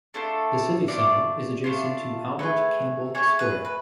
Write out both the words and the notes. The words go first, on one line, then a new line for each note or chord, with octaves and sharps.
The civic centre is adjacent to Albert Campbell Square.
A3 D4 F4 A4
A3 D4 F4 D5
A3 D4 F4
A3 D4 G#4 B4
A3 D4 G#4 C#5
B4
B4